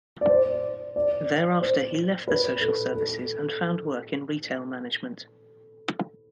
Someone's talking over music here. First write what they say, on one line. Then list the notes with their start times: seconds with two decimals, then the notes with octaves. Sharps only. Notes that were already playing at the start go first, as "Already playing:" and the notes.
Thereafter he left the social services and found work in retail management.
0.21 D5
0.29 C5
0.96 D5
1.62 C5
2.28 B4
2.61 A4
2.93 A4